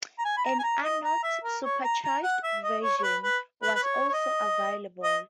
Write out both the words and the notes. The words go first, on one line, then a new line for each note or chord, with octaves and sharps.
An Arnott supercharged version was also available.
A#5
G#5
B5
A#5
G#5
A#5
D#5
A#5
E5
A#4
C#5
A#5
A#5
F#5
E5
D#5
C#5
C#5
B4
B4
B4
B4
C#5
C#5
D#5
D#5